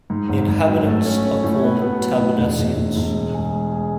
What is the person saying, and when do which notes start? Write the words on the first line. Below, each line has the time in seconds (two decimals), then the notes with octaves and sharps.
Inhabitants are called "Tabernacians".
0.10 G#2
0.29 G#1
0.48 G#1
0.68 F#3
0.86 A3
1.05 C#4
1.25 C#4
1.44 A2
1.63 B3
1.82 B3
2.01 F#3
2.19 A2
2.38 E1
2.58 E1
2.76 E1
2.96 E1
3.14 G#3
3.34 G#4
3.53 G#3
3.72 G#4